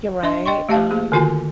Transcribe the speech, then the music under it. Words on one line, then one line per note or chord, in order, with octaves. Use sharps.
You're right, um,
D4 D#5 E5 C6
D#5 G5 C6 C#6
A3 G4 E5 F5 A5
A#3 G#4
D3 D#3 F4 F#4 G#5